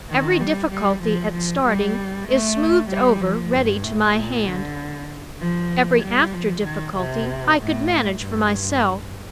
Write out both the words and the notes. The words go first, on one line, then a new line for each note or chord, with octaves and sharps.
Every difficulty, at starting, is smoothed over ready to my hand. Every after-difficulty I could manage for myself.
D#3
G3
G3
F3
F3
G3
A3
G3
F3
G2
A2
A#2
D3
F3
G3
F3
D#3
C3
A2
G2